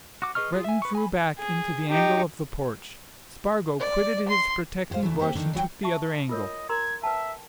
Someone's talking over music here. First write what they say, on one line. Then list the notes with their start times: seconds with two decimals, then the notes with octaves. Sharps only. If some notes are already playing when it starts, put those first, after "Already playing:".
Breton drew back into the angle of the porch; Spargo quitted his protecting bush and took the other angle.
0.22 F#4 D6
0.35 G#4 B4 D#5 C#6 F6
0.52 F4 G#4
0.64 E5 G#5
0.82 B4 C#6
0.95 G#5 B5
1.38 G#4
1.89 D#4 G4
3.80 D5
4.28 C6
4.90 G#2 F#4 G4 C5 F5
5.03 D2 E3 A3
5.19 A#3 C4 G4
5.35 D3 D#3 D4 D#4
5.53 E3 F#3 F#4 G5
5.83 E5 A5 C#6
6.29 F4 A#4 C#5 D#5
6.69 A#4 A#5 C6 G#6
7.03 B4 E5 G5 A5